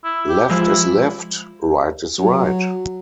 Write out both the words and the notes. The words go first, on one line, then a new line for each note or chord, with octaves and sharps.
Left is left, right is right.
E4
G4
F3 G#3 E4
F#3